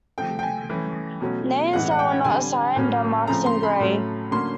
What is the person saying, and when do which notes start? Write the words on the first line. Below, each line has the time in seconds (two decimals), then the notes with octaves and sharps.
Names that were not assigned are marked in gray.
0.18 C3 F3 A3 C4 G5
0.39 G5
0.43 G#5
0.70 E3 A3 C#4
1.21 B2 F#3 A3 C#4
1.72 A2 E3 G#3 C#4 F#5
1.91 F#5
1.99 G5
2.24 D3 G3 C4 G#5
2.76 A2 F#3 A#3 C#4
3.28 C#3 F3 A3 C4 A#5
3.46 C6
3.63 B5
3.80 A2 F#3 A3 C#4
4.31 D3 F#3 A#3 C#4 C6